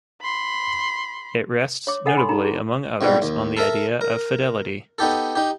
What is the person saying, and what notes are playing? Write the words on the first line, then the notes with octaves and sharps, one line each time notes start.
It rests notably, among others, on the idea of Fidelity.
B5 C6
C#5 D6
A4 A#4 D#5 F#5 G#5
B5 C6
D#4 F#4 A#5
G#4
F2 G#2 B2 G3
D#2
A4 A#4 E5
A#4
B3 D#4 G4 A4
D#4 G4